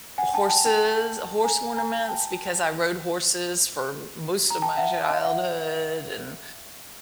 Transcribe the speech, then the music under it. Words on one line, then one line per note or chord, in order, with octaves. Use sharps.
horses horse ornaments because I rode horses for most of my childhood and
F#5 G#5
G5 A5
G5 A5
G5 A5
G#5 A#5
G#5 A#5
G5 A5
A#5
G5 A5
E5 F#5
D#5 F5
E5 F#5